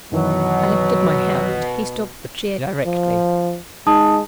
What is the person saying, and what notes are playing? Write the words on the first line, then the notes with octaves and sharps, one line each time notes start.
I lifted my hand. He stopped the chair directly.
F#2 B2 D#3 E3 F#3
F3
G#3 D#4 A5 D#6